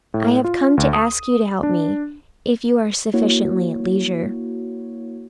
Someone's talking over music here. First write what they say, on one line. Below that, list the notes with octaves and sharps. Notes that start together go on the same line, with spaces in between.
I have come to ask you to help me, if you are sufficiently at leisure.
A2
F4
D2
D#6
D4
A#3 E4 F#4 C#5